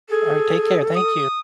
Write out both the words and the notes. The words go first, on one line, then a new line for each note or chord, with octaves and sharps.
All right, take care, thank you.
G#4 A4
D#6